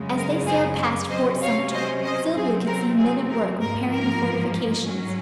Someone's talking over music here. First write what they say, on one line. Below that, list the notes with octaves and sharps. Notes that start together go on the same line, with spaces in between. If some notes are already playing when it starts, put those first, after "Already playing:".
As they sailed past Fort Sumter Sylvia could see men at work repairing the fortifications.
Already playing: F#2 C#3 G#3
A#4
G#4 C5
C3 F#3 C#4 C5 D#5
C#5 F5
C5 D#5
C5 D#5
C3 F#3 C4 G#4
A#4
G#4
A#4
G#2 F3 A#3 A#4
A#4
G#2 F#3 C#4